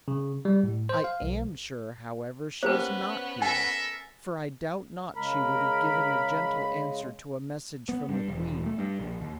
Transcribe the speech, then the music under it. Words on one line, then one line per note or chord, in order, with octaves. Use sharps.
I am sure, however, she is not here, for I doubt not she would have given a gentle answer to a message from the queen.
C#3
G3
A2
C5
F5
B1
A#3 B3 C#4 G4 B4 C5
A4 A#4 E5 G#5
C#3 G#3 A#4 B5
B3
G2
E1
A3
G2
A#1
D#2